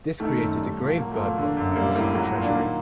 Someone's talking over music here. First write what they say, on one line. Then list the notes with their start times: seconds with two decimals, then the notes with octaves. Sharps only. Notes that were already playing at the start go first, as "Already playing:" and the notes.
This created a grave burden on the municipal treasury.
0.20 D#3 A3
0.39 F#2
0.59 G3
0.79 A#2
0.97 F#3 A#3
1.12 A3
1.17 A#2
1.25 A#3
1.38 D3
1.57 F#2
1.76 G3 A#3
1.95 A2 A#3
2.15 F#3
2.35 A#2
2.41 A#3 D4
2.54 D#3 A#3